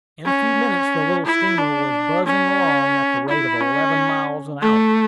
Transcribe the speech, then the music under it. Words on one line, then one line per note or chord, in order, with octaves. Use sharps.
In a few minutes, the little steamer was buzzing along at the rate of eleven miles an hour.
C#4
E4
D4
C#4
E4
C#4
A3